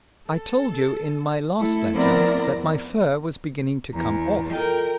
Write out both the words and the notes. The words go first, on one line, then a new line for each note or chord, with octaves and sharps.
I told you, in my last letter, that my fur was beginning to come off.
A4
A3 E4 A4
F3 B3 C4 E4 A#4 D5
E2
E2 A#5
F4 A4 A#4 D#5 G5